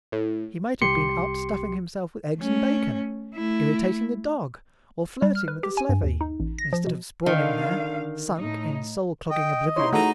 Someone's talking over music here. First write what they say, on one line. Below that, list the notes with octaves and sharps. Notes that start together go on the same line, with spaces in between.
He might have been up stuffing himself with eggs and bacon, irritating the dog, or flirting with the slavey, instead of sprawling there, sunk in soul-clogging oblivion.
A2
C2 G4 C6 C#7
A3 C#4
A3 E4
G3
F6
B4
G4
G#5
G2
D#2
D#4
A1
A#6
F3
B2
D3 D#3 F5
A2 D#4
D#5 G5
D#4 E4 C#5 C6
A3 D#4 E4 F#4 G#4 A#5